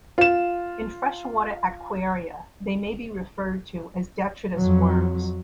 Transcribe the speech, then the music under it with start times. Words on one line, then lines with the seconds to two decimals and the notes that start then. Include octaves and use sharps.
In freshwater aquaria they may be referred to as detritus worms.
0.18 F4 E7
4.56 F2 F#3